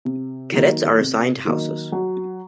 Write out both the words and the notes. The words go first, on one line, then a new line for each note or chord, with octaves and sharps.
Cadets are assigned to houses.
C3
D#3 F#3 A#3 D#4
C3
D#3 F#3 A#3 D#4
F#3